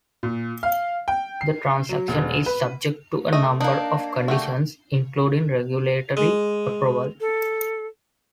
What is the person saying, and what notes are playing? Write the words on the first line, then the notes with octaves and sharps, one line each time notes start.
The transaction is subject to a number of conditions, including regulatory approval.
A#2
F5
G5
C7
F#3
E1
B4
A3 D#5
A#3 D4 D#4
A3 F#4 G4
G#3
A4